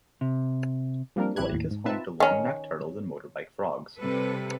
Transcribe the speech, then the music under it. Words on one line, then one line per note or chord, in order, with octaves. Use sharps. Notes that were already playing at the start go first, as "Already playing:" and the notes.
The Lake is also home to long neck turtles and motorbike frogs.
C3
F3 G3 A#3 C4 D4 A#4
A1 C4 E4 G4 F#6 G#6
D#2 A2
G#2
C4 D#4 F4 B4 E5 A5
D#3 C#4
C3 G3 A4 B4